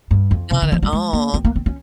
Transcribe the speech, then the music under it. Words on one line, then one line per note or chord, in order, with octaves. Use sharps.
Not at all.
G2
F2
C3
D#3
F3
G3
G#3
A#3
C4
A#3
C4
C#4